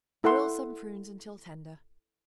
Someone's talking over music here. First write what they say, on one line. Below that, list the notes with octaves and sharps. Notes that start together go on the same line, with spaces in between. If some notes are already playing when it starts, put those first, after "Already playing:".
Boil some prunes until tender.
E4 A4 F#5 C6